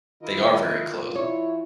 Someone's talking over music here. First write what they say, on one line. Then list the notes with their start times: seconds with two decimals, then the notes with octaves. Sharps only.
they are very close.
0.23 D#3 E4 F4 A#4 D#5
1.15 E3 E4 C#5